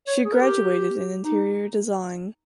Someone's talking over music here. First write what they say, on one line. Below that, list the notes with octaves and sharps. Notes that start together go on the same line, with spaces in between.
She graduated in interior design.
C#5
G#4
A#4
G4
D#4